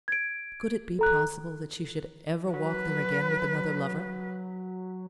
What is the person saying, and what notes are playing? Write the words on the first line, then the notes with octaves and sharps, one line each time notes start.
Could it be possible that she should ever walk there again with another lover?
G#6 D7
A4 A#5 F#6
F#3 B4